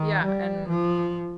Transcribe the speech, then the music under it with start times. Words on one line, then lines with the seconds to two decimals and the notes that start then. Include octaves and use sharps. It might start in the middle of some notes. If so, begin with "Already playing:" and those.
Yeah, and
Already playing: D#3
0.25 G3
0.69 F3